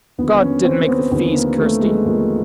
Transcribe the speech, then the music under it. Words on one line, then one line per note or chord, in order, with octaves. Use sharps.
"God didn't make the fees, Kirsty!"
D#2 D3 F3 B3
C#4
C4
B3
D#2 D3 F3 C4
A#3
A3
G#3
D#2 D3 F3 A#3